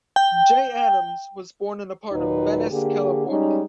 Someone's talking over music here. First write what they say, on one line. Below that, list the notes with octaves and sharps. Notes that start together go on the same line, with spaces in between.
Jay Adams was born in a part of Venice, California.
G5
D#2 A#2 F#3 D#4 B4
D3 A#3 G4 G#4
G3 G#3 C#4 D#4